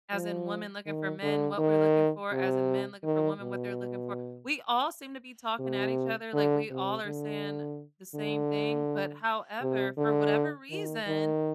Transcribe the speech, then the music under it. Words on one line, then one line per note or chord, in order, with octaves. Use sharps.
as in women looking for men, what we're looking for, as in men looking for women, what they're looking for. We all seem to be talking at each other, like, we all are saying the same thing, but, however, for whatever reason,
F3
D#3
D3
D#3
C3
D#3
B2
C3
D3
C3
D3
D3
C3
D3
D#3
D#3